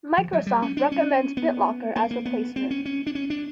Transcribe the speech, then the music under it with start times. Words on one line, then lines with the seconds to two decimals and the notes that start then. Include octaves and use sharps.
Microsoft recommends BitLocker as replacement.
0.18 F3
0.33 F#3
0.46 G3
0.62 C#4
0.77 D4
0.92 C#4
1.37 B3
1.96 A#3
2.11 A#3
2.25 B3
2.56 C4
2.71 C#4
2.86 C#4
3.07 D4
3.15 C#4
3.30 D4